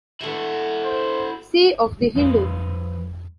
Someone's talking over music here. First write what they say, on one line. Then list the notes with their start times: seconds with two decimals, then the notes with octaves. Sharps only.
C of The Hindu.
0.21 A3 E4 F#4 C6
0.83 C5
2.16 F2 F3 G3 D4 B4 F5